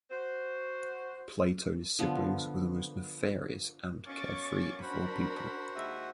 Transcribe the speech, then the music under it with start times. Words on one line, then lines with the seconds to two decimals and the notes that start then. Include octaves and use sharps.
Plato and his siblings were the most nefarious and carefree of all people.
0.11 F#4 C5
1.99 D3 F3 B3
4.07 B2 A#3 C#4 C#6 D6 A6
4.82 D4 F#4 A#4 C5 F#5 B5
5.75 D#2 G#3 E5